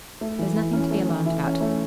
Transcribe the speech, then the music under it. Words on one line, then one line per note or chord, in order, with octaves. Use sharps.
There's nothing to be alarmed about.
A3
E3
E4
C#4
A3
E3
E4
C#4
A3